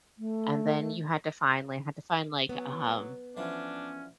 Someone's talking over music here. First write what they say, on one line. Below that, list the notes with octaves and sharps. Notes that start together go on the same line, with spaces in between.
and then, you had to find they had to find, like, um
A3
F#3 B3
D3 E3 F3 C#4 D4